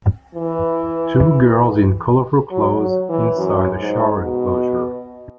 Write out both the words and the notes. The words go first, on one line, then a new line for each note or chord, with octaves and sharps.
Two girls in colourful clothes inside a shower enclosure.
E3
F#3
F#3
E3
F#2
G#2
B2